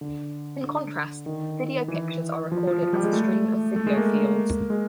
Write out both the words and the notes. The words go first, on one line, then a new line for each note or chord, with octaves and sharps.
In contrast, video pictures are recorded as a stream of video fields.
D3
D3
D#3
E3
F3
F3
F3
G3
G#3
A3
A3
G#3
A3
A#3
G#3